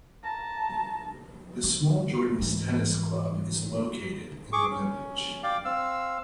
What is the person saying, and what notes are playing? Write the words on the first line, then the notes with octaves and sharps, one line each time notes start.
The small Jordans Tennis Club is located in the village.
A5 A#5
D#3
G#2 E3
G#4 C#6 D6
C#4
D5 F5 G5 D6
C4 F5 E6